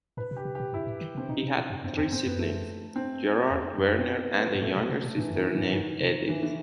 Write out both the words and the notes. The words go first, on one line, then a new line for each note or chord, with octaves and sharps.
He had three siblings: Gerhard, Werner and a younger sister named Edith.
A2 B4
C3
G4
C3
B2 G4
G2 E4
A2
D#3
C3
C4
B2 D#4
C3
B2
G2
F#2 C4
E2 C4
G2 C4
F#2 B3
A3
C4
E2
F#2
C4
B3
B3
G2
A2 A3
B2
C3
B2
A2 E3
F#2
D#3
G2 E3
G2 D#3
C3
D#3 E3
E3